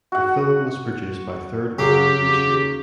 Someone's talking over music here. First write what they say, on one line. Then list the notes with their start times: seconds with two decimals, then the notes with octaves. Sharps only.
The film was produced by Third World Newsreel.
0.12 F#4 F#5
1.78 C#3 F#3 G4